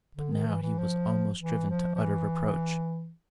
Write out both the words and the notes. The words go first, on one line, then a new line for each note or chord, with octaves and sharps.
But now he was almost driven to utter reproach.
D3
D#3
E3
E3
F3
E3
F3
F3
E3